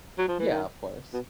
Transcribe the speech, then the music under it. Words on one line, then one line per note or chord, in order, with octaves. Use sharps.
Yeah, of course.
F#3
F3
E3
D#3
B2